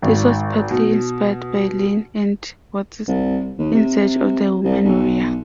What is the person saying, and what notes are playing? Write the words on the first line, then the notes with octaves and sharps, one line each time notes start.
This was partly inspired by Lane and Worth's "In Search of the Woman Warrior".
G#1
B2
C2
D#2
C3
C2
B1